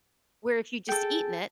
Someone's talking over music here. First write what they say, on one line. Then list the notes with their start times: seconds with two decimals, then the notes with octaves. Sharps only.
where if you'd just eaten it
0.89 G#4 A4 G5